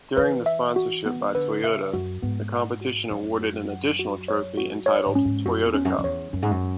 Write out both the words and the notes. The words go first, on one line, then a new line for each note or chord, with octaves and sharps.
During the sponsorship by Toyota, the competition awarded an additional trophy, entitled "Toyota Cup".
E3 B4
E5
F#4
B3
D3 B4
C#3 E5
F#2 F#4
G#2 B3
F#5
F#4
F#2 C#5
F#4
F#5
F#4
C#5
F#4
C#5
G#2
C#4
G#2
F#2 F#4
E2
C#4
F#2
F#2
E2 C#5
F#2 C#4
G#2
F#2